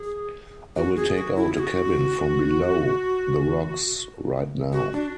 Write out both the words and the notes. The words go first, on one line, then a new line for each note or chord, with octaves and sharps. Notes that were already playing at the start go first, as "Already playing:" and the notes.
I will take out a cabin from below the rocks right now.
Already playing: G#4
F#4
G#4
F#4
E4
G#4
F#4
F#4
D4